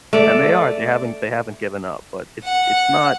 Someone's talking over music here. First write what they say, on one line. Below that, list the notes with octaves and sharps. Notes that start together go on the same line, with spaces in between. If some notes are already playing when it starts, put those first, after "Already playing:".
And they are. They haven't they haven't given up, but it's it's not
A3 D5
F#5